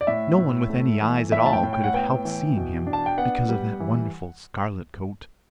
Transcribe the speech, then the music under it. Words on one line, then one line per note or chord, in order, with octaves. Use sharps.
No one with any eyes at all could have helped seeing him, because of that wonderful scarlet coat.
D5
A2 E5
A2
A3
E3
A2 E5
A5
G5
A2
G5
F#5
B3 G5
E3
B2
D4
A5
G5
B3 F#5
G3
E3